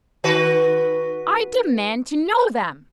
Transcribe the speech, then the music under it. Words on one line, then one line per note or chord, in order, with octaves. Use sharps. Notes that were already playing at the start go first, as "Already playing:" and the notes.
"I demand to know them!"
D#3 F#4 B4